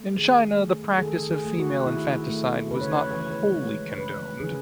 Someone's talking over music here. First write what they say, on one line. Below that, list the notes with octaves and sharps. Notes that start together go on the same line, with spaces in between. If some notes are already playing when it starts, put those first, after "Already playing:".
In China, the practice of female infanticide was not wholly condoned.
Already playing: A3
D#3 G#4
A3
G#4
D#3 A4
G#4
A3
F#4
D#3 E4
A3
C#3 B4
C#5
B4
C#5
E3 B4
C#5
B4
G#3 C#5
C#3 B4
C#3 G#4